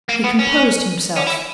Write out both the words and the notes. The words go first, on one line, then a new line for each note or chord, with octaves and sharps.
He composed himself.
A#3
B3
C#4
C#4
E4